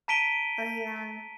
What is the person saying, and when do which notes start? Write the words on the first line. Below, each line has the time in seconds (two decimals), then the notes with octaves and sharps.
Oh yeah.
0.08 A5 A#5 B6 D7 D#7 G7